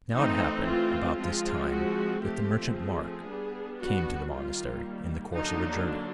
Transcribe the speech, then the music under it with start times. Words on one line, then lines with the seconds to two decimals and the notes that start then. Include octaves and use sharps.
Now, it happened about this time that the merchant, Mark, came to the monastery in the course of a journey.
0.14 E3 A3 C4 D#4
0.67 F4
1.18 F3 G#3 C4 F4
1.70 F#4
2.23 F3 A3 C4 G4
2.75 G#4
3.27 G3 B3 D4
3.78 F#4
4.30 D#3 G3 A#3 F4
5.34 D3 F#3 A#3 D4 D#4